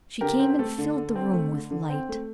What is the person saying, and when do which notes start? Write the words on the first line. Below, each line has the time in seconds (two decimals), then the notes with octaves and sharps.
She came, and filled the room with light.
0.21 D3 G4 A#4
0.40 C4
0.50 G4
0.59 A3 A4
0.78 D3
0.97 D3
1.16 C4
1.33 A3
1.53 D3
1.71 D3
1.89 C4
2.09 A3